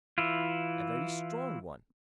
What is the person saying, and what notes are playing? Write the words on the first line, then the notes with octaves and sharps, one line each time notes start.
A very strong one.
E3 E4 F4